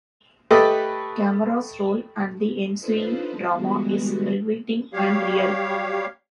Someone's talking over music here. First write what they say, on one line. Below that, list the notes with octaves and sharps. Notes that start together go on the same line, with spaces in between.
Cameras roll and the ensuing drama is riveting and real.
A3 G4 A4 B4 D#5
D4 D#4 F4 A4 B4 C5
D3 E3 G3 G#3 B3 F#4
F#3 G3 G4 C#5 F5